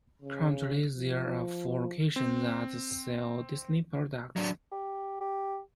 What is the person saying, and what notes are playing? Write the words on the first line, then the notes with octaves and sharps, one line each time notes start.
Currently, there are four locations that sell Disney products.
C#3
F3
C4
F#3 D4
G4
G4